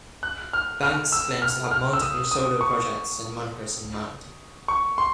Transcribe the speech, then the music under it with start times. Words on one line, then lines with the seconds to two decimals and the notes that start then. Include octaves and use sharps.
Banks claims to have multiple solo projects and monikers in mind.
0.23 F#6
0.53 F6
0.83 F6
1.12 E6
1.42 F6
1.71 F6
1.93 E6
2.02 D#6
2.31 D#6
2.61 C#6
4.68 C#6
4.98 C6